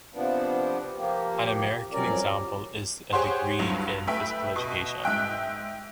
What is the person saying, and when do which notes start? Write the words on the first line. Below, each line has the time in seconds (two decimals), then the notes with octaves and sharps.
An American example is a degree in physical education.
0.14 C3 F3 B3 D4
0.97 F3 A#3 G4
1.92 F2 F#3 G3 C#4 A#4 D5
3.13 G4 G#4 C5 C#5 F#5 C6
3.59 D2 G2 F#3 F7
4.07 A3 B4 E5 G5
4.56 B2
5.04 G#2 E5 G5 F#6